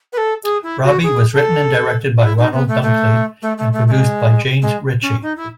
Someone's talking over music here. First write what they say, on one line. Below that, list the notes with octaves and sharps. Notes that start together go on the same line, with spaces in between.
"Robbie" was written and directed by Ronald Dunkley and produced by James Ritchie.
B4
A4
G#4
E4
F#4
G#4
A4
E4
D#4
B3
A3
A3
A3
A3
A3
A3
G#3
G#3
C#4
D#4
E4